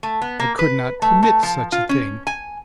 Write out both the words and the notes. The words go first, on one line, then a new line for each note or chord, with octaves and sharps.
I could not permit such a thing.
A3
B3
A#3
B4
A3
A3
F3
F4
C#4
G#5